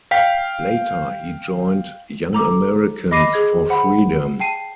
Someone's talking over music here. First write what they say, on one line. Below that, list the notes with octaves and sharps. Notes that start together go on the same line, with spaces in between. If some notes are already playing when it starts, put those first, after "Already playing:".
Later he joined Young Americans for Freedom.
F5 G5 B6
A4 A#5 D6
D#5 B5 D6 A#6 C7 D#7
G#4 G#6
C5 F#5 B5
G5 A5 C7 D#7